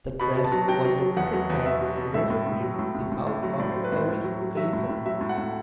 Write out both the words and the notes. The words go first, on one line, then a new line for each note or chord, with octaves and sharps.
The Press was located at Runnymede, the house of Evelyn Gleeson.
B2 B5
B2
A5
F#3
F#3 G5
F#3
F#3
E2 F#5
F#3
E2
B2 E5
F#3
B2
A2 E5
A2
A2
F#3
A2
A2
A2
A2
F#3
A2 D5
F#3 C5
B4
A2 C5
A2
F#3
F#3
F#3 E5
A2
A2
F#3 E5
A2
F#5
A2